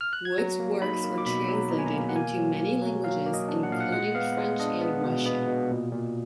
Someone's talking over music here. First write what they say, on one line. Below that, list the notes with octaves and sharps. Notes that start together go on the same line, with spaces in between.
Wood's works were translated into many languages, including French and Russian.
F6
F#6
G#6
F#3 A#6
A#3
D#4 B5
A#3
D6
B2 B5
F#3
B2 A#5
G#5
A#5
A#3
F#5
A#3 G#5
F#3
A#3
F#3
F#3 F5
A#3
D#5
D4
F#5
A#2 F5
F#5
G#3 F#5
B3 F5
G#3
D4 D#5
B3
B2
B3
B2
A#2
A#2